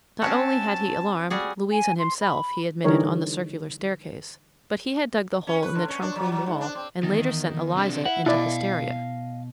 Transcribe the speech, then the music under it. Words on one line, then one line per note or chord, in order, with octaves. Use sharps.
Not only had he alarmed--Louise and himself, he admitted--on the circular staircase, but he had dug the hole in the trunk-room wall, and later sent Eliza into hysteria.
C4 C#4 F#4 A5
G3 F#4 G#4
G#5
C6
B5
D3 E3 G3 D#4 A#4 C#5
C#4
B4
D3
C#4
D4
F#3
F#3
G#2
D4
C4
E2 D#3
C3 D4
E4 F#5
B2 E4 D5 D#5 F5